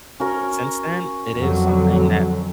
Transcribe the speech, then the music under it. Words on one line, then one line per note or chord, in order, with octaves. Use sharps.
since then, it is something that
C#4 F#4 A#4
F2 D3 F#3